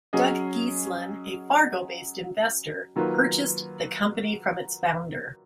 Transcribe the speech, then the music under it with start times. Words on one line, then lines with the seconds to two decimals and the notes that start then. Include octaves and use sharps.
Doug Geeslin, a Fargo-based investor, purchased the company from its founder.
0.13 F#3 C#4 G#4 D#5
2.96 D#3 F#3 A#3 F4 B4